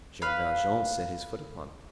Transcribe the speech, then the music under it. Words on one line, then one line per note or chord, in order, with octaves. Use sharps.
Jean Valjean set his foot upon it.
B4 F5